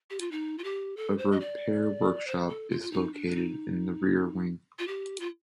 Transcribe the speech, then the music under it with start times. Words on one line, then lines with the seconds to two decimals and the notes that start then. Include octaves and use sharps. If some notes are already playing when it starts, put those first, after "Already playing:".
A repair workshop is located in the rear wing.
0.10 G4
0.20 F4
0.31 D#4
0.58 F4
0.64 G4
0.97 A4
1.18 C5
1.32 D#5
1.40 D5
2.27 C5
2.49 A4
2.70 F4
2.82 F4
2.92 D#4
3.14 D4
3.27 D4
3.35 D#4
4.79 F4
4.87 G4
5.20 F4